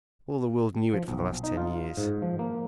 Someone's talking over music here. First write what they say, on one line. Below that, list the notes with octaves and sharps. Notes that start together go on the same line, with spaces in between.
All the world knew it for the last ten years.
F3
B1
D#4
F4
G#2
F3
A#3